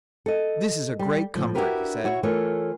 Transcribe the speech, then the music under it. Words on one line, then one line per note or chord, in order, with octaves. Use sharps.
"This is a great comfort," he said.
A4 D#5
G3
A2 F3
D4 E4 F#4 G4 A#4 B4
E4 F#4 C#5
E3 A3 F4 A4 A#4 C#5